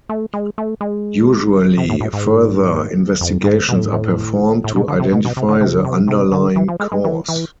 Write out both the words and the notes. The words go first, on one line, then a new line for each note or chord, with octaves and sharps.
Usually, further investigations are performed to identify the underlying cause.
A3
G#3
A3
G#3
C3
A2
A2
G#2
F2
G#2
B2
A2
G#2
A2
A2
B2
D3
C3
B2
B2
C3
D3
C3
D3
C3
C3
D3
E3
F3
G#3
G#3
E3
E3